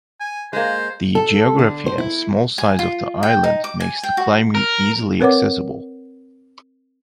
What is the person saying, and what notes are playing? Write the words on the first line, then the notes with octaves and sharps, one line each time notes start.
The geography and small size of the island makes the climbing easily accessible.
G#5
G#3 A#3 C5
A4
D3
C5
E4
G#5
F4
G5
D#4
D6
G#5
G5
F#4
A#4
C4 A#4 B4 C#5 F#5 D6